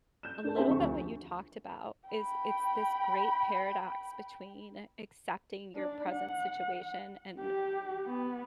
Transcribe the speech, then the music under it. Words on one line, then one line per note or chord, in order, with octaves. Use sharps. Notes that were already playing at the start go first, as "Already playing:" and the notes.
A little bit what you talked about is it's this great paradox between accepting your present situation and
G6 E7
D4 A#4 A5
C4 G4 G#4 C5 E5 A5
F2 D3 C#6
D2 F3
G5 B5
D4
F#5
G4
B3